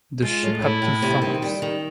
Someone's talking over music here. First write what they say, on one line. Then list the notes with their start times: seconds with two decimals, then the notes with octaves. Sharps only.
The ship had two funnels.
0.22 G#3 F4
0.43 A2
0.62 A2 E4
0.82 A2
1.02 C3
1.22 D#3
1.42 G3
1.62 D#3